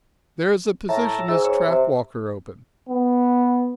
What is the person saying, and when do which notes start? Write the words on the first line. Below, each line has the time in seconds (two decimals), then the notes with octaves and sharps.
There is a position as track-walker open.
0.89 A2 E5 A5 A#5
1.29 G#2 E6
1.44 C#5
1.66 C3
2.89 B3